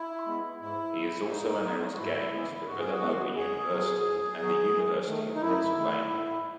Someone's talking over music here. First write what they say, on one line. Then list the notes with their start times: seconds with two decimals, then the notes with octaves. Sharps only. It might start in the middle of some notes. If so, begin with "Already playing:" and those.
He has also announced games for Villanova University and the University of Pennsylvania.
Already playing: E4
0.27 G#3 B3
0.60 G#2 E4
0.94 F#3 B3
1.29 G#2 D#4
1.64 F#3 B3
1.94 F#4
1.97 G#2 E4
2.32 E3 G#3 B3
2.66 G#2 F#4
2.79 G#4
2.91 F#4
3.01 E3 G#3 B3
3.35 E2 G#4
3.70 B2 F#3
4.04 E2
4.38 B2 F#3
4.73 F#2
5.08 D#3 A3
5.35 D#4
5.41 F#2 E4
5.76 D#3 A3
6.10 A2